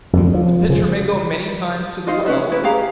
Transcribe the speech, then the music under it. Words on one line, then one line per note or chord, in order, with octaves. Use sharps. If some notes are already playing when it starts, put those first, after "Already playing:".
The pitcher may go many times to the well....'
F2 D3
F3
C#3 F3
D#4 F4 C5 D#5
C#4 F4 B4 E5
E4 B4
G4 G#4 F5 A#5